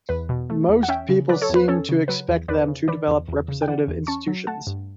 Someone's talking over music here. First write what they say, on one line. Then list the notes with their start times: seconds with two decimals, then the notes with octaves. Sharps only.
Most people seemed to expect them to develop representative institutions.
0.09 E2 B4
0.29 B2
0.50 A3
0.69 E2
0.83 F#5
0.88 C#4 E5 G5
1.09 C#3
1.29 F#3 B4 D5
1.42 A4 C#5
1.49 E2
1.55 B4
1.68 C#4 A4 C#5
1.89 C#3
2.08 F#3 B4
2.28 E2
2.48 E2 B4 D5
2.68 C#3
2.88 E3 B4 D5
3.08 E2
3.28 E2
3.48 C#3
3.62 G5
3.68 E3 D5 F#5
3.88 E2
4.07 C#4 A5 C#6
4.27 F#3
4.47 A3 F#5 A5
4.67 G2